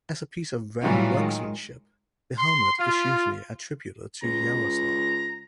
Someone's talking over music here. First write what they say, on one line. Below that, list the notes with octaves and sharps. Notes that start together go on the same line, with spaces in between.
As a piece of rare workmanship, the helmet is usually attributed to Yaroslav.
A2 E3 F#3 G3 F4 F#4
D#3 G#3
C6
F4
C#2 A#5